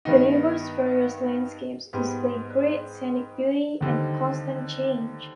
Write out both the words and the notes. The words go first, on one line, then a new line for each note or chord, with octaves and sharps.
The river's various landscapes display great scenic beauty and constant change.
G2 D#3 B3 D#4
G#2 G3 B3
D#2 D3 G3 C4 D#4